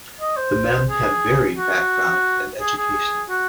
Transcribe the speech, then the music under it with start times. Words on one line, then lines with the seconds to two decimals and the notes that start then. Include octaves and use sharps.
The men had varied background and education.
0.21 D#5
0.37 C5
0.88 G#4
1.57 F#4
2.60 G#4
2.77 G#4
3.29 F#4